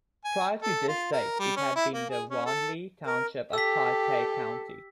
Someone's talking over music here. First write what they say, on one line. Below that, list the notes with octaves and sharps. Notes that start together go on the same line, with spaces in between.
Prior to this date it had been the Wanli Township of Taipei County.
G#5
A4
F4
A#4
G3
C#4
E4
A#3
G#4
C#4
A4
A#4
G4 A4 E6 B6